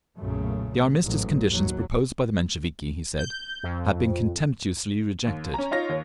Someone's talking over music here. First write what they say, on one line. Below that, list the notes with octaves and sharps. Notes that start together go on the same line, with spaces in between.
The armistice conditions proposed by the Mensheviki, he said, had been contemptuously rejected.
B1 F#2 A#2 C#3 A3
A1 G#2 F#3
D#2 F#3
G6
F2
D#2
C#4 A#5
D#4 F4 C#5 A#6
D#2 C#5